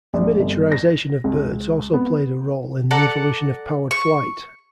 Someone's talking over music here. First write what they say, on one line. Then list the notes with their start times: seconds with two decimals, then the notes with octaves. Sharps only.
The miniaturization of birds also played a role in the evolution of powered flight.
0.14 A#1
0.40 G1
0.72 A#6
1.24 C#2
1.93 B3
2.91 A4 D5 F#5 A#5
3.91 C#6